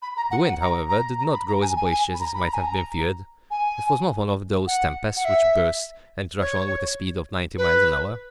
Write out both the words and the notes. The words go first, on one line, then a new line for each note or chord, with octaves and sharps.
The wind, however, did not grow as boisterous as might have been feared; it was not one of those tempests which burst, and rush on with a speed of ninety miles an hour.
B5
A#5
F#5
F#5
A#5
A#5
A#5
B5
A#5
G#5
G#5
G#5
B5
A#5
B5
A#5
G#5
A#5
G#5
F#5
F#5
E5
C#5
B4